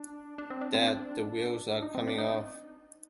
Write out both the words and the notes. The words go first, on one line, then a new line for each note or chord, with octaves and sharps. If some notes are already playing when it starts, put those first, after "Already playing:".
That the wheels are coming off.
Already playing: D4
D4
C4
D4
C4
D4
D#4
C4
D4
D#4